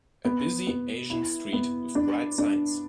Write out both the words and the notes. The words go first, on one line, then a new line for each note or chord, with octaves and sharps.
A busy Asian street with bright signs.
B3
B3
E4
B3
D4
D4